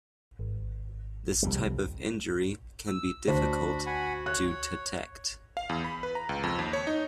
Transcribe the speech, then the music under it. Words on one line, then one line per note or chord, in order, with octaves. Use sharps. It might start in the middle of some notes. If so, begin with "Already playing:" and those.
This type of injury can be difficult to detect.
G#1
C2 F2 G3
E6
D2 D4 F#4 C5 B5
F#5 G#5 B5
C#5 F#6
F5
E2
B5
B4
A#5
C#2
F2
D#2
C#5
D#4